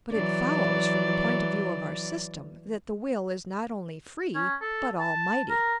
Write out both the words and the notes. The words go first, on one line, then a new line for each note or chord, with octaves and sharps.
But it follows from the point of view of our system that the will is not only free, but almighty.
E3 F#3 D5
C#4
A4
A5
A#4